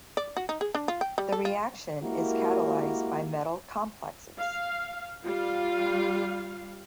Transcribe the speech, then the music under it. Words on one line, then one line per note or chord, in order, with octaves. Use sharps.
The reaction is catalyzed by metal complexes.
D5
F#4
D#4
G#4
D4
F4
G5
G3
A4
F4
G#3 A#3 E4 F#4 G4 A#4
F5
G3 F4 F5